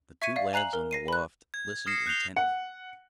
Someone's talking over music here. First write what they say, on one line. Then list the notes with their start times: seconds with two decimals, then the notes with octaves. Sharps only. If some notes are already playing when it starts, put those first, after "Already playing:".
The two lads on the loft listened intently.
0.22 E5 C#6 G#6 B6 C#7 D#7
0.36 D5 E5 F5
0.53 G#5 A#5 F#6 C7 F7 F#7
0.73 A#4
0.91 A#6 C7 D#7
1.08 B5 F#6
1.54 G#6
1.86 D#6 F6 A#6 C7 C#7 E7
2.06 F#6 G6 C7 F7 G7
2.36 F#5